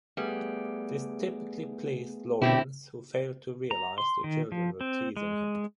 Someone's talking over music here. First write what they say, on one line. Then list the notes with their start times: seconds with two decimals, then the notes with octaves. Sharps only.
This typically pleased Lawrence who failed to realize the children were teasing him.
0.17 G3 A3 B3 G#4
2.42 B2 D3 C4 E4 G4
3.71 A#5
3.98 C6
4.24 D#3
4.52 F3
4.81 C4
5.17 G#3